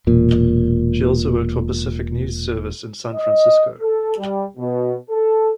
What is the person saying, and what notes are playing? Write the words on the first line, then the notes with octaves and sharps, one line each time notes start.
She also worked for Pacific News Service in San Francisco.
E1 A#2
D#5
A4
G3
B2
A4